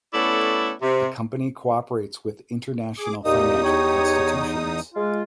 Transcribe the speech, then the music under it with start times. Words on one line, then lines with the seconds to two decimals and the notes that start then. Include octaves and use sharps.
The company cooperates with international financial institutions.
0.14 A3 B3 C#4 E4 A4 D5
0.82 C3
2.97 G#4 D6
3.25 E2 A#2 D#4 G4 D#5 D#6
3.63 G4 C#5
4.95 G#3 F4